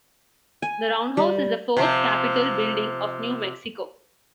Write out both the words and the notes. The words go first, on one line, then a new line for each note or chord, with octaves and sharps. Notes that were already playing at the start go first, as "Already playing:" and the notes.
The Roundhouse is the fourth Capitol building of New Mexico.
G#5
G3
C3 F3